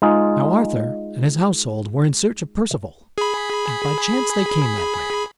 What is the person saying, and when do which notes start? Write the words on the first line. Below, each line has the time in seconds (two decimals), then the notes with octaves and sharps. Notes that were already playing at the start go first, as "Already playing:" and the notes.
Now Arthur and his household were in search of Perceval, and by chance they came that way.
0.02 G#3 D#4 F4 G#4
3.18 G#4 B5